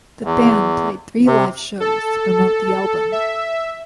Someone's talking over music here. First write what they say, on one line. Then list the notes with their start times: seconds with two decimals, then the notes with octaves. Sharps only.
The band played three live shows to promote the album.
0.25 E2
1.26 C3
1.80 A4
3.12 E5